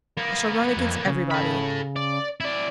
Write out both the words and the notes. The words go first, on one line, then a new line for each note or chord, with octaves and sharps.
I shall run against everybody.
A#3 B3
F2
C#3
A4 B5
D5
E4 D5